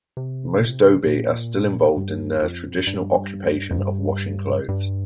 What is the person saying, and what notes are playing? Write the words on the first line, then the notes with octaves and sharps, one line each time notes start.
Most Dhobi are still involved in their traditional occupation of washing clothes.
C3
A#2
G2
F2
G2
F2
G2
G2